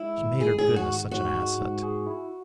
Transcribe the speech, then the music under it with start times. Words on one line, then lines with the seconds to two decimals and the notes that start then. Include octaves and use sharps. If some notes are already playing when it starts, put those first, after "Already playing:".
She made her goodness such an asset.
Already playing: G#3 E4
0.17 G#1
0.41 G#3 G#4
0.58 G#4
0.64 G#2
0.76 F#4
0.88 G#1
1.11 G#2 F#4
1.35 G#3
1.59 G#2
1.83 G#4
2.07 E4